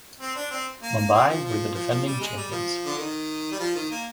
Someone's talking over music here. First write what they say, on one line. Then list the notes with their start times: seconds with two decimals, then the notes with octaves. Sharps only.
Mumbai were the defending champions.
0.21 C4
0.36 D4
0.51 C4
0.82 A#3
0.97 A#3
1.13 C4
1.28 F3
1.44 F3
1.74 F3
1.90 F3
2.06 G3
2.21 G#3
2.37 G3
2.51 F3
2.85 D3
2.98 D#3
3.51 G3
3.60 F3
3.75 D#3
3.90 A#3